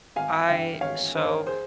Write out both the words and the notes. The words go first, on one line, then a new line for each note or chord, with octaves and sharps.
I so,
G#1 F5 G#5
G2 E3 E5 G5
G#1 C#5 F5
G2 E3 C5
A#4 C#5
G#4 C5